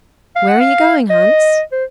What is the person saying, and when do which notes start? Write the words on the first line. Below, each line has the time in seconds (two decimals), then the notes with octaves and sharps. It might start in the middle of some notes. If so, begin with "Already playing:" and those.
'Where are you going, Hans?'
0.36 F5
0.49 F#5
0.61 F5
1.10 D#5
1.72 C5